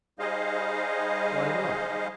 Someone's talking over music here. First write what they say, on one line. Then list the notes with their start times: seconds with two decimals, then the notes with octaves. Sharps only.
"Why not?"
0.19 G3 D#4 G#4 C5 D#5 F5